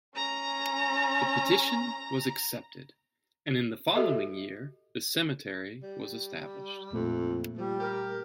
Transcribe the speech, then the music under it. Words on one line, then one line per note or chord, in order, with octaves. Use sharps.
The petition was accepted and in the following year the cemetery was established.
C#4 A#5
F#4 G4 A4 D#5 E5
G3
F2 A#2 A3 A#3
F3 G3
G4 A#4